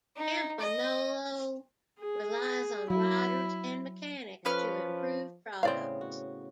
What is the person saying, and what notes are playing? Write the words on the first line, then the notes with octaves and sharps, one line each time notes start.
Campagnolo relies on riders and mechanics to improve products.
D#4
D#5
G#4
F#3 E4
F3 C#4 B4 F6
A2 C#3 B3 C4 D5 F5
F#4